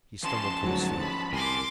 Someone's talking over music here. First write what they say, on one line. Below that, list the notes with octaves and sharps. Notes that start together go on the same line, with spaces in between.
He stumbled to his feet.
E3 F3 C#4 A5 C6 E7
D2 G#2 F#3
B5
C2 A#4 G#5 A5 C6 D6